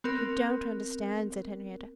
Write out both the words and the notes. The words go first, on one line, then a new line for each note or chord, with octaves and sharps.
"You don't understand," said Henriette.
B3 C4 A#4